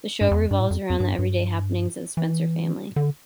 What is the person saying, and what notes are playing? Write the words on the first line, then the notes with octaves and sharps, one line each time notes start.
The show revolves around the everyday happenings of the Spencer family.
G2
E2
F2
G2
A2
F2
F2
G2
G2
E3
D3